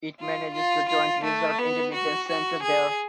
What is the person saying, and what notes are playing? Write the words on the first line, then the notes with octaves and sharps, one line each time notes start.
It manages the Joint Reserve Intelligence Center there.
F4
F4
F4
A3
B3
F#4
F#4
G#4